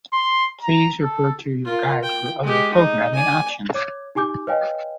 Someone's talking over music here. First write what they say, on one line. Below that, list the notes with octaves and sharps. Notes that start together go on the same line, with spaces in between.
Please refer to your guide for other programming options.
C6
A#5
A4
F4 A#4
G5
G#3 G4
D#4
D5 G#5
C#5 D6 G#6
D#4 G4 G#5 D6 G6
B4 C#5 D#5 F5 G5 G#5